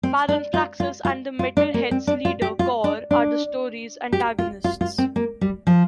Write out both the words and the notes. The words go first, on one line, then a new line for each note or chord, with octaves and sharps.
Baron Praxis and the Metal Heads' leader Kor are the story's antagonists.
C4
D4
F4
F4
F4
F4
D4
A#3
C4
D4
F4
G4
F4
D4
D4
G4
F4
F4
F4
C4
A#3
G3
F3